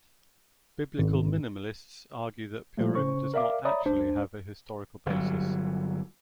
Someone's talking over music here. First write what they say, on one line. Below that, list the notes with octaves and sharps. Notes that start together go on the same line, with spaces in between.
Biblical minimalists argue that Purim does not actually have a historical basis.
G#1
A#2 F3 G3 A3
C#3 C#4 C5 C#6
A#4 D5 E5 F5 D6
C#5 D5 E5 A#5 B5 D#6
C#2 D4 C5
G1 F#3